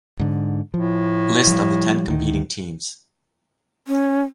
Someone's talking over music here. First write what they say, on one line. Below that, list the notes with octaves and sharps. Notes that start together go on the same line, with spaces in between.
List of the ten competing teams.
G#2 D3
A2 F3
F3 G3
D2 D#3
C#4